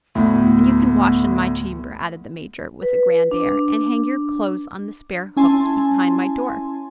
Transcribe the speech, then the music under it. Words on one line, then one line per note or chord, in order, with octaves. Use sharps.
"And you can wash in my chamber," added the Major, with a grand air, "and hang your clothes on the spare hooks behind my door."
D2 A2 B3
B4
D4
C#4 E4 G#5 A5 C6